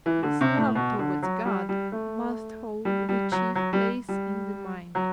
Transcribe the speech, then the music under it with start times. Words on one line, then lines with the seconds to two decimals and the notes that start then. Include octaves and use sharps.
This love towards God must hold the chief place in the mind.
0.06 E3
0.23 D3
0.41 C3
0.58 A2
0.75 B2
0.99 D3
1.23 F#3
1.45 G3
1.69 G3
1.92 A3
2.85 G3
3.09 G3
3.32 F#3
3.55 F#3
3.73 G3
4.08 G3
4.95 F#3